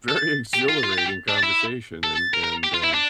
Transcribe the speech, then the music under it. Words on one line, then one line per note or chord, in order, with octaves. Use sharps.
very, exhilarating conversation and and, uh,
A4
G4
F4
F4
G4
D4
E4
A4
A#4
A#4
G4
F4
E4
D4